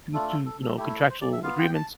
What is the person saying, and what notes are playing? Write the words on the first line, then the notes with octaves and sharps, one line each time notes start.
due to, you know, contractual agreements
A3 D4 F4 A4
A4
A4
A4
A3 E4 G4
A4
B4
C5
D5
E5
B3 F4 F5
G5
A5